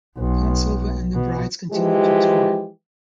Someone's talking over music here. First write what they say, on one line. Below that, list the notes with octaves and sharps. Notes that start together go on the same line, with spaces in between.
Dawn Silva and The Brides continue to tour.
B1
B2
E3 F3 G#3 G4